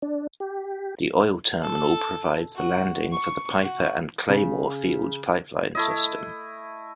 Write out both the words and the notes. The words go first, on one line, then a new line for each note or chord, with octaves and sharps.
The oil terminal provides the landing for the Piper and Claymore fields pipeline system.
D4
G4
A4
F#4
C#6
F#4
C#3
A3 E4 D#5